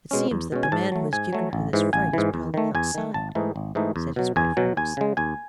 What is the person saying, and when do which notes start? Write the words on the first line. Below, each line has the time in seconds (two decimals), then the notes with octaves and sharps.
"It seems that the man who has given her this fright is prowling outside," said his wife nervously.
0.11 B2 G#3 C#4
0.31 E2
0.52 B2 G#3 C#4
0.63 G#5
0.72 G#2 A5
0.92 F#3 A3
1.13 G#2 G#5
1.33 F#3 A3
1.53 A1
1.73 G#2 E3
1.93 A1 G#5
2.13 G#2 E3
2.34 E2
2.54 D#3 A3
2.75 E2 G#5
2.95 D#3 A3
3.14 G#1 A5
3.35 G#2 E3 A3 D#4
3.56 G#1
3.75 G#2 E3 A3 D#4
3.96 E2
4.16 B2 F#3
4.36 E2 G#5
4.57 B2 F#3
4.77 D#2 G#5
4.97 C#3 G#3
5.17 D#2 G#5